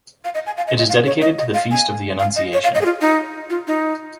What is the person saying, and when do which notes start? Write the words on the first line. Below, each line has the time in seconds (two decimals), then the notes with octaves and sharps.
It is dedicated to the Feast of the Annunciation.
0.25 F5
0.34 D#5
0.46 G#5
0.57 F5
0.67 D#5
0.78 D#5
0.89 F5
1.06 C#5
1.21 D#5
1.38 D#5
1.54 F5
1.71 G#5
2.19 F5
2.36 D#5
2.53 C#5
2.63 F5
2.75 D#5
2.81 G#4
2.85 F4
3.01 D#4
3.50 F4
3.67 D#4